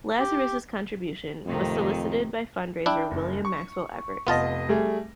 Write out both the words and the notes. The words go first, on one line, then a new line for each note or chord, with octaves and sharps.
Lazarus's contribution was solicited by fundraiser William Maxwell Evarts.
G4
F2 A2 C3 D#3
D4 E4 G5
F#1
C#6
F1 B3 F4 D#5 A5
G3 A3 G#4